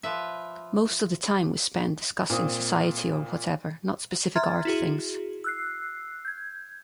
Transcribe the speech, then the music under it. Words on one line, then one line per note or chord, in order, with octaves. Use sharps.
Most of the time we spent discussing society or whatever, not specific art things.
F3 B4 E5
A#2 C4 D#6
E5 A#5 C6 F6 G#6 A6
E4 F#4 G#4
E6 F#6 C7
G6 G#6